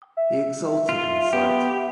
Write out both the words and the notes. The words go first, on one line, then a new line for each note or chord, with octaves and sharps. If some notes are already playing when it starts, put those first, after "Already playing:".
He exulted in the sight.
E5
F4
B3 G4